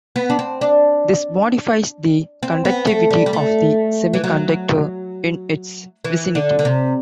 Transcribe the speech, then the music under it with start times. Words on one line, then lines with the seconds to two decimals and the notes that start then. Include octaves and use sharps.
This modifies the conductivity of the semiconductor in its vicinity.
0.16 B3
0.30 D4
0.39 C4
0.61 D4
2.43 C4
2.65 B3
2.87 A3
3.10 G3
3.26 G3
3.33 A3
4.13 E3
4.24 F#3
6.05 E3
6.35 D3
6.59 D3
6.65 C3